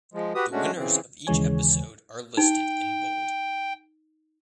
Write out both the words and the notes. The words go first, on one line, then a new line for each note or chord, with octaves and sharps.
The winners of each episode are listed in bold.
F3 G#3
F#4 G4 B4 D#6
G#3 A3 C#4 D4 F#4
C#3 E3 C4
D#2 C#3 E3 G#3 C#5 G#5
D#4 G5